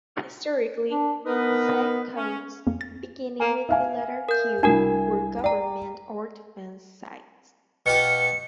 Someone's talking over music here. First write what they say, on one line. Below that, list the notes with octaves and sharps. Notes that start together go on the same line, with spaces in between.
Historically, site codes beginning with the letter Q were government or defence sites.
D4
B3 D#4 A#4 B4
C#4
F2 A#3
A6
A#3 A#4 G#5
E5 F5 G#5
A#4 G6
C2 D4 F#4 A#4 G#5
D5 G5 A#5
B2 F4 G4 C#7